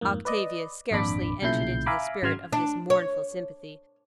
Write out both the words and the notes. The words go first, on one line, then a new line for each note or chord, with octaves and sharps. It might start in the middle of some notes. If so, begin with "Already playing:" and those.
Octavia scarcely entered into the spirit of this mournful sympathy.
F2 G#2 A#3
B4 D5 D#5
G#1 F2 A#2 D4 B5 D6
B1 A#2 C#3 E4 G6 C7
E5 F5 G#5 A#5 B5 D6
G#1 C#3 F#3 C6 F6 G#6
D4
C#5